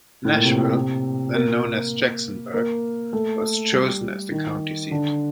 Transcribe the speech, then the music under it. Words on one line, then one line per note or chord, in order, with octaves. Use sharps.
Nashville, then known as Jacksonburg, was chosen as the county seat.
A2 A3
A#2 A#3
C3 C4
A#3 A#4
A#3 A#4
A3 A4
G3 G4
D#3 D#4
D3 D4